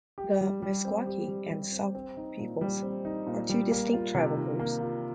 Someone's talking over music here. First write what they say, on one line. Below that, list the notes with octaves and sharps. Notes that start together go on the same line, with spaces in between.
The Meskwaki and Sauk peoples are two distinct tribal groups.
G4
G3
G3
C4
G4
G3
G3
C4
C4
D#4
A#2
G3
C4
D#4
A#2
G3
A#3
F4
C3
D#3
A#3
F4